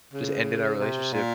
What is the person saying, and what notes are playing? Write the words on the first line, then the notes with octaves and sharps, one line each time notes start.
just ended our relationship.
C#3
C3
A#2